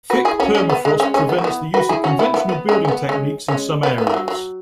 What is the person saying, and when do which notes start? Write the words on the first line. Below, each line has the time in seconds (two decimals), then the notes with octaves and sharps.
Thick permafrost prevents the use of conventional building techniques in some areas.
0.10 F#4 B4
0.25 E4 G#4
0.40 C#4 F#4
0.55 G#3 C#4
0.70 B3
0.85 G#3
1.00 G#3 C#4
1.14 G#3 C#4
1.29 B3
1.38 F#4
1.44 B3 E4
1.74 F#4 B4
1.89 E4 G#4
2.04 C#4 F#4
2.19 B3 E4
2.34 B3 E4
2.49 B3
2.69 G#3 C#4
2.85 C#4
2.88 B3
3.09 G#3 C#4
3.48 G#3 C#4
3.83 B3
3.98 B3
4.07 E3
4.14 F#3
4.28 F#3